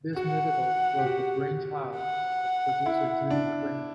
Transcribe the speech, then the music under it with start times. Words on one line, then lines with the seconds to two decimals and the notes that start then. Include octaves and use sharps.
This musical was the brainchild of producer Judy Craymer.
0.16 F#4 F#5
0.98 G4
1.06 F#4
1.96 F#5
2.86 E4
3.30 D4